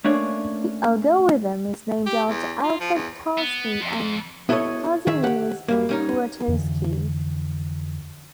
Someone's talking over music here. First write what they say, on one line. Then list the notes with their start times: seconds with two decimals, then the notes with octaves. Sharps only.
The algorithm is named after Alfred Tarski and Kazimierz Kuratowski.
0.04 A3 A#3 C#4 D4 C#5
2.06 G4
2.27 E2
2.63 F4
2.80 F3
2.94 E2
3.37 B3
3.81 F2
4.49 B3 E4 A4 A#4 C#5 D#5
5.07 D#3 G#4 E5
5.24 G4 F#5
5.68 F#2 G3 A#3
5.89 G3 C#4 D#4
6.48 F2 D3 E3